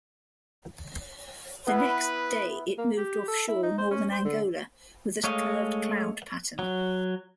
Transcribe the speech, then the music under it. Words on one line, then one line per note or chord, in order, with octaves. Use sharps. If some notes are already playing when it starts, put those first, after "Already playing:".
The next day it moved offshore northern Angola with a curved cloud pattern.
B3 E4 B4
A#3
G4
A4
E4
D#4
C5
C#4
C5
D3
G#3 A3 C#5 D#5 F5
F#3